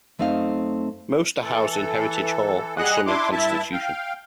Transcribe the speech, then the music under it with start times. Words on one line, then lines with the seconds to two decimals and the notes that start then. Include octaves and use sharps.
Most are housed in Heritage Hall and some in Constitution.
0.19 F#2 A3 C4 D#4 D#5 F5
1.42 E3 A4
2.77 G3 G#4 D#5 F#5 F#6
3.06 D4 E4 C6 D6
3.32 G2 E4 E5 A5
3.72 F5 G5